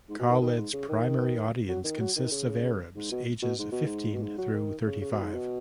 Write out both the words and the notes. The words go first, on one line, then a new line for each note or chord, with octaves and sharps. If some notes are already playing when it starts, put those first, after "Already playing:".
Khaled's primary audience consists of Arabs ages fifteen through thirty-five.
G#2
B2
D#3
D#3
G#2
C#3
D#3
F#3
D#3
F#3
D#3
C#3
G#2
B2
B2
G#2
B2
G#2
B2
G#2
F#3
D#3
C#3
C#3
B2
G#2
B2